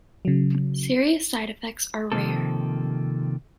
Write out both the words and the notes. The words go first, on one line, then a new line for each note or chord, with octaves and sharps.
Serious side effects are rare.
C#3 F#3
C3 D#3 F3 A#3 C4 A4